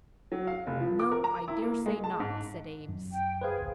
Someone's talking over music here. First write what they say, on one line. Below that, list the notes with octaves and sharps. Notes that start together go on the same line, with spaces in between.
"No; I dare say not," said Eames.
F#3
F5
F1
F3
D6
A#4
A#5
E4
A#3
G#3
A5
G#2
F#2
G5
G#4 B4 C5 F5
A1 D2